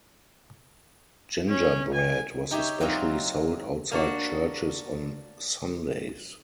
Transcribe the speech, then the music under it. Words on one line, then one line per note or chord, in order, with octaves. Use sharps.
Gingerbread was especially sold outside churches on Sundays.
C#4
G#5
D#4 G4 C#5 E5
F#3 C4 D#4 F4
A#3 D4 F#4